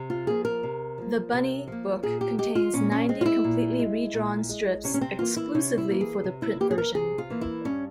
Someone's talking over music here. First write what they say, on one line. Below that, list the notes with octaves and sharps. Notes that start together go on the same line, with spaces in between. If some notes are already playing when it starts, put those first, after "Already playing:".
The "Bunny" book contains ninety completely redrawn strips exclusively for the print version.
Already playing: C3
F4
F3 A#3 G#4
A#4
C3
F3 A#3
C3
F3 A#3
A#2 G#4
G4
G#3 G4
F4
A#2 C#4
C#4
G#3 C4
F4
E4
A#2
G#3
A#2
G#3
C3 C#4
C#4
C4
E3 A#3 F4
E4
C3 C#4
E4
E3 A#3
G#4
C3
E4
E3 A#3 G4
G#4
A#4
C3 G#4
F4
E3 A#3
E4
G2 C#4